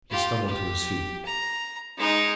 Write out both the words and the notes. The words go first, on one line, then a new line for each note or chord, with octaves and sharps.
He stumbled to his feet.
F4 G4
G4
A#5
G#3 D#4